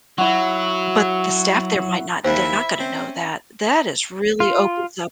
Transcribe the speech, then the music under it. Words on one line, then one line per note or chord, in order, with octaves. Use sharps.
But the staff there might not they're not gonna know that. That is really opens up
F#3 E4 F#4
D#2 E4 C5 E5
C4 C#4
F4